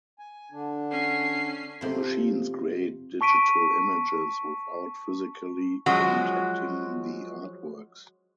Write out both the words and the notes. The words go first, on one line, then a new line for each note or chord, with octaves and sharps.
The machines create digital images without physically contacting the artworks.
G#5
D3 D4
C#4 C7
F2 C3 G5
A5 C#6 B6 D7 D#7
F3 F#3 G#3 C#4 F#4